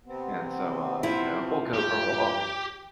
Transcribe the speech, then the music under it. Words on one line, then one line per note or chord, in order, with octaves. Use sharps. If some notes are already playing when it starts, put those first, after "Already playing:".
And so, uh, you know, we'll go for a walk.
C3 B3 C4
F3 E4
G2 G4